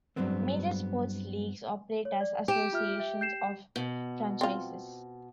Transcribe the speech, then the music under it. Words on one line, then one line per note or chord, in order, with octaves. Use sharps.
Major sports leagues operate as associations of franchises.
G2 C3 F#3 G#3 B3 C4
C#5
D5
G4 D6 E7
F4 E5 F6
E5
G6 C7 E7
B2
C4 F4